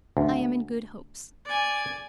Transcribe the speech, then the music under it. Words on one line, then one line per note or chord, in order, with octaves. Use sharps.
'I am in good hopes.
D2
D5 G#5